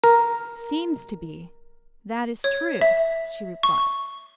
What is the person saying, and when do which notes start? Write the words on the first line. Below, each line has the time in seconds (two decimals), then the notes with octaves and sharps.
"Seems to be--that is true," she replied.
0.04 A#4
2.44 C#5
2.81 E5
3.63 C#6